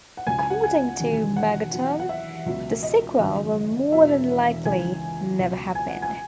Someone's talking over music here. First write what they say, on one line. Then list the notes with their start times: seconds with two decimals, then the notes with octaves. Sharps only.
According to Megaton, the sequel will more than likely never happen.
0.17 F#5
0.26 C#2 C#3 F#3 G#5
0.39 G#5
0.50 F#5
0.64 G#5
0.99 E1 D#2 C#3 F#3
1.37 F#5
1.72 E2 B2 F#3
2.00 F#5
2.09 E5
2.46 C#2 B2 F#3
2.83 D#5
3.20 G#1 F#2 C#3 F#3
3.92 E1 E2 B2 F#3 E5
4.65 C#2 C#3 E3 G#5
5.39 C#2 B2 F#3
5.75 G#5
5.89 F#5
6.02 G#5